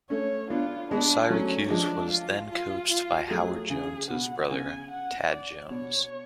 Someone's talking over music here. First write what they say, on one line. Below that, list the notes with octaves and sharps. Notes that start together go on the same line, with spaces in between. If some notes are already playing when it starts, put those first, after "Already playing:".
Syracuse was then coached by Howard Jones's brother, Tad Jones.
A3 C#4 C#5
B3 D4 F4
G#3 B3 D4
F#3 A3 C#4
F3 G#3 D4
F4
F4
F4
F#3 A3 G#4
C#3 G#4
B2 F#5
C#3 G#5
F#5
D5
B2 C#5